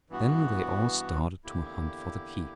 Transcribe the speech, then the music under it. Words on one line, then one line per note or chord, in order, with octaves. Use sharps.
Then they all started to hunt for the key.
G2 E3 B3 F#4
E2 D3 A#3 E4 G4